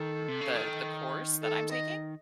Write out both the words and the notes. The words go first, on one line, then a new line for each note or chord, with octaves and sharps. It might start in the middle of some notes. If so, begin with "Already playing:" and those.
m the the course that I'm taking,
Already playing: D#3 A4
C3
C#3
D#3
A4
D#5